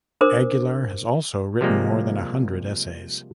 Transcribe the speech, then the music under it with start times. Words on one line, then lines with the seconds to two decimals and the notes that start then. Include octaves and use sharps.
Aguilar has also written more than a hundred essays.
0.21 D4 A#4 C5 D6
1.61 C3 F3 G3 G#3 A#3